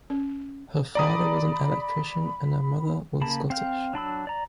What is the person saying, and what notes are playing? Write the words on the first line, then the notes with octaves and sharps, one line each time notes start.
Her father was an electrician and her mother was Scottish.
C#4
D5 A#5 B5 D#6
C#3 A#3 A5 B5
C4 F5 G5
F#3 D4 B5 E6
D5 A#5